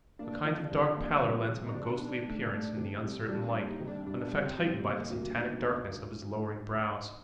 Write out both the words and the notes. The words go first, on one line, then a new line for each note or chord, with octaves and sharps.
A kind of dark pallor lent him a ghostly appearance in the uncertain light, an effect heightened by the satanic darkness of his lowering brows.
A#3 D4
F3
C2
A#3
C2
C3
D#4
C3 D4
D#3
A3
A3
C3
C2
G3 D4
D4
A#3
D#4
C3
D4
C2 D4
C2
C4
G3
C3 A#3
D2
D#3